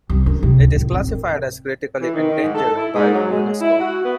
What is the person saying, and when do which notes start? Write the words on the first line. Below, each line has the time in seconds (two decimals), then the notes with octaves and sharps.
It is classified as critically endangered by Unesco.
0.10 C2
0.26 D4
0.43 C3
0.60 D2
0.75 A2
0.93 C4
1.08 A1
2.00 E3
2.14 D#3
2.29 D#3
2.43 G#2
2.55 A4
2.76 E4
2.95 G#2
3.13 F#3
3.31 G#3
3.60 E4
3.78 F#4
4.03 B3